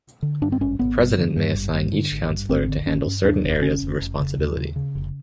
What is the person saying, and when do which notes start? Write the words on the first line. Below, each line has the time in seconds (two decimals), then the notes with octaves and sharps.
The president may assign each counselor to handle certain areas of responsibility.
0.23 D3
0.42 G2 D4
0.52 C4
0.60 G#1 C#4
0.79 G#1 B3
0.98 G2
1.17 D3
1.36 G2
1.54 G#1
1.74 G2
1.93 D3
2.12 G#1
2.30 G2
2.49 G#1 C4
2.68 D3
2.87 G#1 C#4
3.06 G2
3.25 D#2 D4
3.44 F1
3.62 C#3 C#4
3.82 F1
4.00 F1
4.19 C#3
4.39 D#2
4.57 C#3
4.76 C#3
4.95 F1